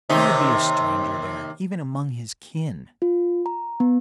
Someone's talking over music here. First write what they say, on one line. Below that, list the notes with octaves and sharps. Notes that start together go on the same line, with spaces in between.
He would be a stranger there, even among his kin.
D#2 C3 D#4
F4
A#5
B3